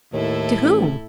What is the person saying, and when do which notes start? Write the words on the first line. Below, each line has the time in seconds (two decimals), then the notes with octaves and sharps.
"To whom?"
0.13 D#2 A2 E4 A4
0.64 A1